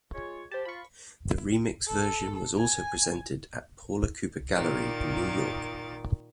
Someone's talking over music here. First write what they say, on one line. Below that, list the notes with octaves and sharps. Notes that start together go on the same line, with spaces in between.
The remix version was also presented at Paula Cooper Gallery in New York.
G#3 F4 C#5
G4 C5 A5
F4 B5 C#6
A4
G#5
A#2 D#3 D6 A6